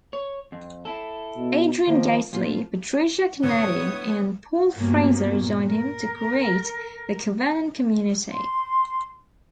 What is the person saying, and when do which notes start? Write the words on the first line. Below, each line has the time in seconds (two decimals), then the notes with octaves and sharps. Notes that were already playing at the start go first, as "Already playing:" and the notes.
Adrian Gately, Patricia Kennedy, and Paul Frazier joined him to create the Covenant Community.
0.13 C#5
0.52 F2
0.85 E4 A4
1.37 B2
1.87 D#3 F3 A#3
2.33 A#2 F3 F4
3.42 A2 D3 B3 E4 C#5 D#6
4.76 G2 C3 F#3 A#3 B3 C#4
5.39 A#2
5.70 A#4
8.32 C6